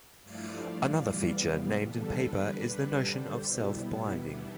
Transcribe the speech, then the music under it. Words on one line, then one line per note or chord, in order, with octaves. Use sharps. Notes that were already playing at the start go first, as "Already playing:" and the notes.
Another feature named in paper is the notion of self-blinding.
G2 F3 A3 E4 D5 F5
E2 C3 E3 G3 B3
E2 D3 G3 D4 A4
B4
D3 G3 D4
A4 C5
B2 G3 B3 E4
E3 G3 B3 D4